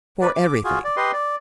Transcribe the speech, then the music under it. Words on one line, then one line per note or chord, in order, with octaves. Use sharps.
"For everything."
B4 D5
D6
F4 F#4 G#4
D5
G4 B4 D#5 C6
D5